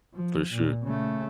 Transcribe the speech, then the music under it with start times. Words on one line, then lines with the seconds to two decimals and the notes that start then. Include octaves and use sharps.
For sure.
0.14 F3
0.52 A#2
0.83 C#3 A3